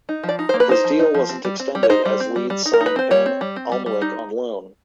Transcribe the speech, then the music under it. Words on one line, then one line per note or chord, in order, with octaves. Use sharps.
His deal wasn't extended as Leeds signed Ben Alnwick on loan.
D#4
F3
D5
D#4
A#3 C5
B4
D#4 C5
F3
D#4
F3
C4
G3
C4
G3
C#5
D#4 C5
G3
C4
G3
G3
D#4
A#4
D#4
B4
C4 C5
G3 C#5
C4
G3
C4
G3
G3
D#4